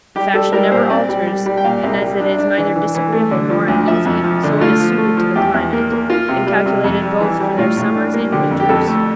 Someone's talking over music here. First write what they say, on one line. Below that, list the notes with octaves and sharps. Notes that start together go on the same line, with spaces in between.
The fashion never alters, and as it is neither disagreeable nor uneasy, so it is suited to the climate, and calculated both for their summers and winters.
G3 G4
G3 A4
G3 A#4
A#2 C5
C4 D5
G3
G3
G3
G5
A#2 F5
C2
G3
D4
D4
E3
E3
E3
A3
D3
F3
D2
F3 E5
F2
F3
D3
A3 F4
F3
A3
F3
E2 G4
E2
A#3
A#3
A#3 F4
C3
G3
C3
F2
G3
E3
G3
A2 F4
A2
D4
A#3
D3 G4
F2
G4
F2 A4
A3